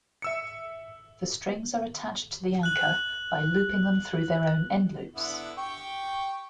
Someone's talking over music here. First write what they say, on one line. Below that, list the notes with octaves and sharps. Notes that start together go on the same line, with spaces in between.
The strings are attached to the anchor by looping them through their own end-loops.
E5 E6 C#7
F#6 F#7
D3 B3 E4
G4 G5 C#6